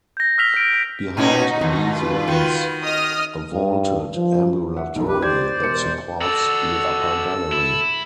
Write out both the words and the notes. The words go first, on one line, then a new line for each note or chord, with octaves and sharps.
Behind these runs a vaulted ambulatory that supports the upper gallery.
G6 A#6
E6 F6 B6 F7 G7
A#6 D7
B2 C#4 D#4 E4 F#4
D#2 B2
F4 B4
D#3 F#4
D#5 D#6 F6
G2
F3
E5 F#5
B1 F2 D#4
G4 B4
G4 C5 D5 G#6
E1 G4 A#4 C#7
F#4 A4 D5 E6
E4